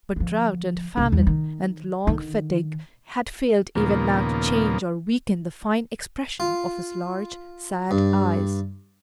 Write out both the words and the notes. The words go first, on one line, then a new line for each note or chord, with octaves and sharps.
But drought and famine and long fatigue had failed even now to change or weaken the fine expression of his large, sad eyes.
D3 F3
C#2
E2 G3
D#3
D3 D#3
D#2 A#2 C#3 F3 A#3 B3
F4
G2